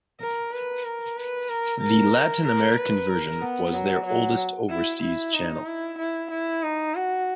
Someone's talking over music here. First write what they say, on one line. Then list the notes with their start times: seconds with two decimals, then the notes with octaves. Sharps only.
The Latin American version was their oldest overseas channel.
0.20 A#4
0.52 B4
0.85 A#4
1.17 B4
1.49 A#4
1.81 A#4
2.45 A#4
2.77 B4
3.09 A#4
3.41 B3
3.74 F#3
4.06 F#3
4.69 E4
5.02 E4
5.34 D#4
5.66 E4
5.99 E4
6.31 E4
6.63 D#4
6.95 F#4